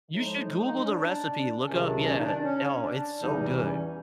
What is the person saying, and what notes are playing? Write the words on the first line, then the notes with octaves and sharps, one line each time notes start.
You should Google the recipe, look up Yeah. Oh, it's so good.
A2 F3 G#3 D#4
D#4
D#4
C#4
D4
C#2 C3 D#3 F#3 C#4
D4
C#4
D#4
D4
C#4
D4
E2 C3 E3 G3 D#4
C#4